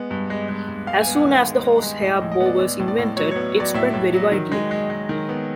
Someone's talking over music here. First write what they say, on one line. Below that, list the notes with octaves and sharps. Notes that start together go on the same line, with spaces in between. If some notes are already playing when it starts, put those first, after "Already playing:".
As soon as the horsehair bow was invented, it spread very widely.
Already playing: G#3 B3
G2
G#3
G#3
G2
G#3 F5
G#5
B3
F#5
D#3
F5
G#3
G#3
G#3
A2 D#5
D#5
A2
D#5
B3
D5
B3 D5
A2
D5
A2
F#3 C#5
C#5
B3
F#3 D5
A2 E5
A2
F#3
D#3
G#3
G#3
G#3
D#3
B3